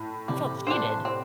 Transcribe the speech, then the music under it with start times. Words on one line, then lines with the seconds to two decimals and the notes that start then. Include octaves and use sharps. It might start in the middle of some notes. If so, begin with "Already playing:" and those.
I felt cheated!
Already playing: A2
0.28 C3 G3
0.67 D4 A4 C5
1.05 C4